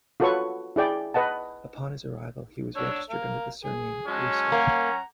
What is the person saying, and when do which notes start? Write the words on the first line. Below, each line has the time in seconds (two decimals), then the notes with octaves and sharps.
Upon his arrival, he was registered under the surname "Wistar".
0.20 F4 F#4 A4 B4 C#5 C#6
0.76 E4 G#4 D5 G5
1.14 B4 D#5 F#5 A5
2.76 D4 C#5 E6
3.10 A#4 F5
3.65 G#4
4.07 F#3 G#3 C#4 A5
4.52 A#3 F#5 A#5